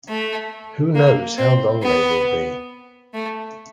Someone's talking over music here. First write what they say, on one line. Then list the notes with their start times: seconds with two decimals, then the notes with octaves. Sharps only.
Who knows how long they will be?
0.08 A3
0.95 A#3
1.38 C4
1.82 B3
3.14 A3